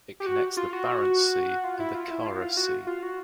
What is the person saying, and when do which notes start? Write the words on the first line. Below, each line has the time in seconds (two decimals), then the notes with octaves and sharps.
It connects the Barents Sea and the Kara Sea.
0.20 G4
0.26 F#4
0.57 F4
0.73 F#4
1.64 F4
1.80 E4
1.95 F4
2.10 E4
2.26 F4
2.36 F#4
2.41 F4
2.57 F#4
2.87 F4
3.03 F#4